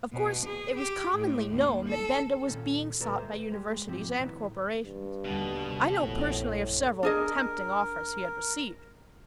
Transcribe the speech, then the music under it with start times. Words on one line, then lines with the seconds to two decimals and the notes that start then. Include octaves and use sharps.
Of course, it was commonly known that Benda was being sought by Universities and corporations: I know personally of several tempting offers he had received.
0.12 B2
0.45 G#4
0.77 G4
1.14 A2
1.51 D#2
1.88 A4
2.46 A#2 D#3 C#4 A4
3.00 D2 A#2 A4 B4 D5 A#5
3.18 C5 E5
3.52 G#3 G4
3.87 B1 G#2 F3 C4 G4
4.19 A2 D#3 B3 E4
4.86 G2
5.25 D#2 B2 D3 G3
5.69 C3
6.01 A#1 F2 A2
6.49 F#2
7.03 D4 G#4 A#4 D#5